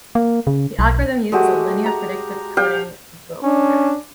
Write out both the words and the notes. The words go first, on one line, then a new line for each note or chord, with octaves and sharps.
The algorithm used is a linear predictive coding vocoder.
A#3
C#3
B1
G#3 A3 F#4 G4
A#5
G4 F5 G5
C#4 D4